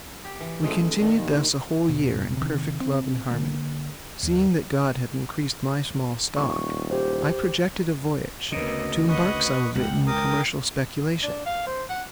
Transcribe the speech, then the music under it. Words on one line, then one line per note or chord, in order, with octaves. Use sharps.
We continued thus a whole year in perfect love and harmony. Seeing that God had increased my small stock, I projected a voyage, to embark some of it in a commercial speculation.
G4
E3
A1 G#3 A3
D#1
A#2 D#3
D#2
E1 B2
C3 D#3
C4
D3 A#3
D#2
D#1 C#6
G4 C5
D2 C#3 A#3 B3 D#5
B4 D#5 F#5 C#6 D#6
C#2 F#5 G5
A#4 G5 D6 D#6
D4
F5
C5
F#5